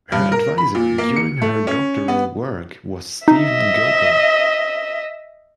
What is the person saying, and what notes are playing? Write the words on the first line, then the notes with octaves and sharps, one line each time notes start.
Her advisor during her doctoral work was Steven Gobel.
G2
A#4
B5
A#2
A#3
C#7
A3
C#4
B3
D#4 D#5 E5